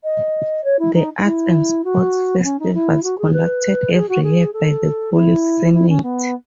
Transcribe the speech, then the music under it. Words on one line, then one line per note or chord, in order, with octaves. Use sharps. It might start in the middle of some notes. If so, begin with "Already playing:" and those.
The arts and sports festivals conducted every year by the college senate.
D#5
C#5
E4
D#4
D#4
E4
F#4
B3
C#4
D#4
E4
F#4
G#4
B4
G#4
F#4
G#4
A4
E4
E4
C#4
B3